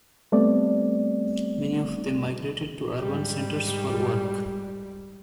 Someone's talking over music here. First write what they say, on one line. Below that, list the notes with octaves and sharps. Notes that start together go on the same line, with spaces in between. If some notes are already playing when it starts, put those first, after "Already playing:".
Many of them migrated to urban centers for work.
G3 A3 B3 C4 D5
G#2 G3